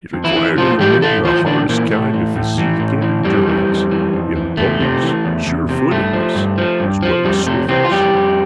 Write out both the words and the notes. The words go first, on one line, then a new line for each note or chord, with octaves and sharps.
It required in the men the hardest kind of physique and endurance, in the ponies surefootedness as well as swiftness.
F2
E3 E4
E3
A2 F3 F4
E3 G3 G4
A2 A3 A4
E3 F3 F4
A2 D3 D4
A#2 E3 A#3
A2 A3
E3
A2
E3
A2
E3
F2 G3
E3
F2
E3
F2
E3
E2 A3
C3
E3
E2
E2
C3
G2 A3
F3
G2
F3
G2
F3
F2 G3
C3 A3
C3 E3 C4
F4
F2 G3 G4
F2